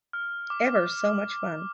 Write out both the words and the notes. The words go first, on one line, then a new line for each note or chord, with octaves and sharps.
Ever so much fun.
F6
D6